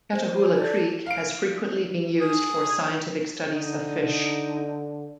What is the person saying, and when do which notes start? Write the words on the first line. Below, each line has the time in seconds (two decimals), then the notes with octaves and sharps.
Catahoula Creek has frequently been used for scientific studies of fish.
0.13 C5
0.44 G#4
0.57 A4 D5
0.74 A4
1.06 F5 D7
2.21 G#4
3.56 D3 D#4